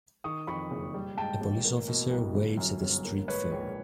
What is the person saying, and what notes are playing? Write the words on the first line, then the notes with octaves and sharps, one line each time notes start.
A police officer waves at a street fair.
D#3 C#6 D#6
F2 B5 C#6
F#1
G3
G#2 G5 A5
A1
A#3
B2
C2
G1
F#2
G1
A#3
G#2 B4 C#5
A#1 B4